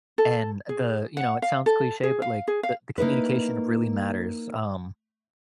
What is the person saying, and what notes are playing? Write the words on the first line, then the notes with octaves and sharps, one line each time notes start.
and the you know, it sounds cliche, but, like, the the communication really matters, um,
A4
G#4
F#5
F5
A4
G#4
F5
G#4
F5
A#3 D#4 E4 B4